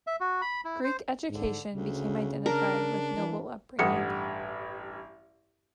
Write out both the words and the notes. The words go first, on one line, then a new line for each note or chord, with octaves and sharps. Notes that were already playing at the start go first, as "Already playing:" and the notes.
Greek education became identified with noble upbringing.
E5
F#4
B5
E4
C5
G#2 D3
D2 C#3
D4 A#4
E3
A1 G2 G4 F#5 D#6 C#7